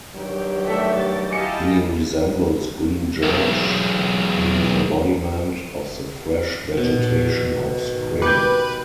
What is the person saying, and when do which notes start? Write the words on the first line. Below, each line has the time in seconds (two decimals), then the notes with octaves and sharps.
He resembles Green George, the embodiment of the fresh vegetation of spring.
0.14 G2 D#3 F#3 G4
0.67 A3 A4 D5 E5 B6
0.97 A6
1.31 E4 G4 D#5 F5 G#5 A5 D6 C#7
3.23 B1 E2
6.77 A#1 G2 B2
7.82 G#2 D#3
8.22 G4 B4 D6 G6